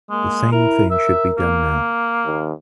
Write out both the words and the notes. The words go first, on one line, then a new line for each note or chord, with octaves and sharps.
The same thing should be done now.
G#3 A#3
E4 A#4
A#4 E5
A#3
D#2